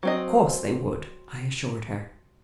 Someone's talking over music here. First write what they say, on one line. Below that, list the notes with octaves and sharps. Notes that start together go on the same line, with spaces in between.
"Of course they would," I assured her.
F#3 C4 D#5